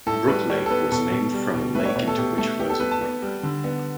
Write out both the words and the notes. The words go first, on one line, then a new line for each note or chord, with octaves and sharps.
Brook Lake was named from a lake into which flows a brook.
A2 A4
G3 B4
G3 C#5
A4
B3 B4
B2 A4
B2
G3
B2
A3 B4
C#5
B2 C#5
A4
B2 G4
A3 A4
B3 G4
A4
B3 B4
A5
B3
G3
D3
B3